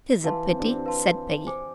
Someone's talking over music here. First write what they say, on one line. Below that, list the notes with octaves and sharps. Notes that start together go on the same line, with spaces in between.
"It is a pity," said Peggy.
E3 B4 F5 A5 C6
C4
D4
C4
B4 F5 A5 C6
C5 G#5 D6